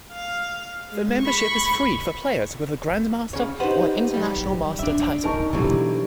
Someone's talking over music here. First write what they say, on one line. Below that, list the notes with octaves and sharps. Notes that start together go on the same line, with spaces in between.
The membership is free for players with a Grandmaster or International Master title.
F5
G#3
B5 C#6
C#3 C#5
D#4 G4 B4 C5 F#5
F#3 G3
D4 E5
D#4 A#4 A5 C#6
B2 D3 E3 F#3 G3